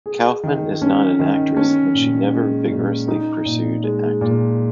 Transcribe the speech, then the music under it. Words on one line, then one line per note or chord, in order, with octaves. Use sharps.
Kaufman is not an actress and she never vigorously pursued acting.
G#4
D#3
C#4
D#3
C#4
A#2
G#3
A#2
D#4
A#2
G#3
A#2